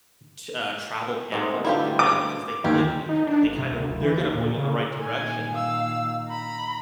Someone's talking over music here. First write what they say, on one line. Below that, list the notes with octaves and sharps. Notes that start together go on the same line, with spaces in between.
t uh, travel pamphlets you can get because they live in the area, they kinda they're gonna point you in the right direction.
G#2 C3 G#3 A3
D2 G2 E4 F4 G4
D6
D#2 F4 G4 G#4
D#4
D4
G1
C3
D2
F#1
E3
D#2
A#2
C#3
A#2 D#3 G#5
F5 E6
A#5 B5